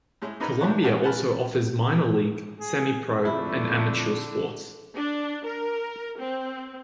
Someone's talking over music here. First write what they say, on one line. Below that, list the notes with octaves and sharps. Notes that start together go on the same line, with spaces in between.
Columbia also offers minor league, semi-pro, and amateur sports.
A2 G#3
A#3 D#4 B4 A#5 B5
G#2 D4 E4 C#5 F#6
A3 A#3 C4 F#4 G#4 A5
F#5 G#5 A5 B5 F6
G#4
F2 D3 A3 E4
D4
A#4
C4